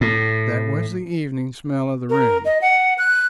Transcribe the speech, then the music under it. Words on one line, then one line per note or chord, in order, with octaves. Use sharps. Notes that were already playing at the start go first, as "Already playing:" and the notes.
That was the evening smell of the room.
A2
A#4
D#5
F#5
F#6